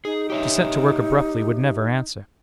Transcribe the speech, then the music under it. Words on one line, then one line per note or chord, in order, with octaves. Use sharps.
To set to work abruptly would never answer.
D#4 G#4
G4 C#5 E5